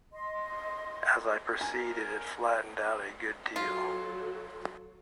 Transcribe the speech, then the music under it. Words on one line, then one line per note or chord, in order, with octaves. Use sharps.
As I proceeded it flattened out a good deal.
D#5 C6
A#4 G#5
F#3 F4 A4